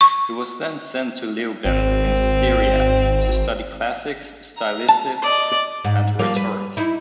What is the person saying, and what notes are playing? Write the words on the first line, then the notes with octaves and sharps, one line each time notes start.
He was then sent to Leoben in Styria to study classics, stylistics, and rhetoric.
C#6
G#1 C4
A#5
A5
D5 D#5
G#2
F3 G3 A#3
B4
D#4 E4